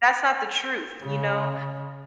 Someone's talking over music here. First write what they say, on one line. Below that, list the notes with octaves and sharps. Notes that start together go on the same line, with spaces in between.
that's not the truth. You know,
C#3